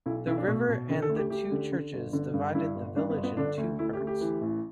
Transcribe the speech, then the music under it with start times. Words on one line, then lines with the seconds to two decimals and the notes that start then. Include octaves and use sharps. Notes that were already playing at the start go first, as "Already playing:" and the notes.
The river and the two churches divided the village in two parts.
0.06 B1 E4
0.27 B1 E4
0.38 D4
0.47 B2 A3
0.69 B2
0.90 D3
1.02 A4
1.09 D2
1.16 G4
1.30 D2 G4
1.52 D3
1.72 D3
1.93 G1
2.13 D3
2.34 G2
2.54 G2 E4
2.76 G1
2.96 G2 D4
3.10 B3
3.17 G1
3.23 B3
3.37 D3 D4
3.58 D2
3.79 D2 E4
3.93 G4
4.00 D2
4.07 G4
4.21 E3
4.41 A1